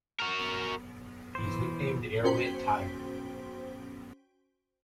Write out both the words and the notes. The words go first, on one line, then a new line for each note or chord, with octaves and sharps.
He is nicknamed "Arrow-hit Tiger".
F#4 A#4
E3 C5
C#4 F#4 C5 G5 C6 B6